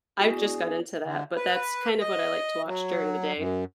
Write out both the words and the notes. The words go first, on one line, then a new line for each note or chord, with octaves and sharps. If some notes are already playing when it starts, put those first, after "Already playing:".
I've just got into that, but that's kind of what I like to watch during the day,
B3 E4 F#4 G#4
D4 E4 D5
D3
B4
D#5
F#3
F#2